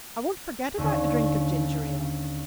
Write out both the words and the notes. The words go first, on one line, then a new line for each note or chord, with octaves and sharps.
"I won't forget about the drink of ginger-ale."
D#2 D3 C#4